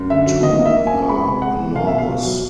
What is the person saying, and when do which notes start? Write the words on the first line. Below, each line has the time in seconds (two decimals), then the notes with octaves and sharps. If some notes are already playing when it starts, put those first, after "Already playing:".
Two are enormous.
Already playing: F#2
0.10 D3 E5
0.27 F#3
0.43 D#3 D#5
0.59 A#3
0.66 E5
0.76 A#3
0.87 G#5
0.93 F#2
1.09 G#3 B5
1.27 C3
1.42 G#3 F#5
1.58 E3
1.75 B2 F5
1.87 B2 E5
1.98 F5
2.09 B2
2.25 F#3